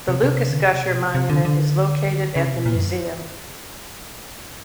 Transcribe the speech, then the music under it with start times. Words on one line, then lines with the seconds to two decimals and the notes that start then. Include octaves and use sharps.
The Lucas Gusher Monument is located at the museum.
0.08 C3
0.24 C3
0.50 D3
0.62 C#3
0.73 C3
0.84 B2
0.99 C3
1.15 C3
1.30 D3
1.45 D3
2.36 C#3
2.45 C3
2.56 B2
2.66 A#2
2.76 F#2